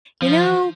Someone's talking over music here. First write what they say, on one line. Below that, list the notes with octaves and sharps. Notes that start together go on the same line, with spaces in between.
"You know,
F3